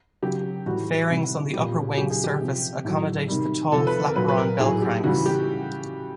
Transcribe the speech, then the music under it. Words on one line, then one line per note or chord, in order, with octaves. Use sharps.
Fairings on the upper wing surface accommodate the tall flaperon bellcranks.
C#3 F#3 G4
A2 E3 G3 F#4
C3 E3 G3
A#2 G3 G4
G4
C#3 F#3 G4
G#4
G4
C3 F3
A2 F#3
C3 D#3 G3
C3 F3 A4
B4
A#4
A#2 F#3 B4
B4
A#4
A2 F#3 G#4
G4
C#3 E3 G3 F#4
G4